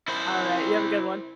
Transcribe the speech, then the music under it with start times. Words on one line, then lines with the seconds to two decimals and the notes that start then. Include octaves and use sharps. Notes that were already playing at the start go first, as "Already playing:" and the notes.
alright, you have a good one.
0.08 E4 C5